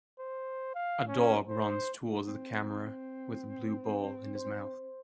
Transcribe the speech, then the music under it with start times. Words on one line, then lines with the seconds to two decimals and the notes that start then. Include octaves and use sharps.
A dog runs towards the camera with a blue ball in his mouth.
0.19 C5
0.75 F5
1.07 C#4
1.49 C5
2.28 C4
4.35 C5